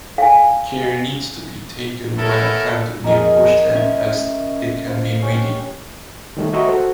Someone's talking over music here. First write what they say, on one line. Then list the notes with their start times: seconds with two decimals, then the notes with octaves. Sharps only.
Care needs to be taken when planted near bushland as it can be weedy.
0.18 F5 G#5
2.18 B3 C#4 E4 A4 A#4
3.04 F2 G#4 A#4 D#5 A#5
3.75 C#4 E5
4.88 C5 F5
5.22 C#4 G4 F#5
6.37 D#3 G3 A3
6.53 F#4 D#5 E5 A#5 C6 C#6
6.66 F#4 A4 C5